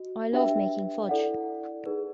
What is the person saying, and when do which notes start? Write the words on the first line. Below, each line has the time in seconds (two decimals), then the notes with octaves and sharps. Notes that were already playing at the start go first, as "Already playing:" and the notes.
I love making fudge.
Already playing: F#4 D#5
0.33 D4 G4 B4 E5 G5
1.09 E4 A4 D5 F#5
1.86 D#4 G#4 B4